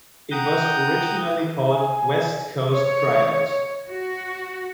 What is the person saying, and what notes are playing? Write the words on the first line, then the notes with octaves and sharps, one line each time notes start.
It was originally called "West Coast Tryouts".
F#5 G5 A#5 D#6 G6
G#5
C#5
F#4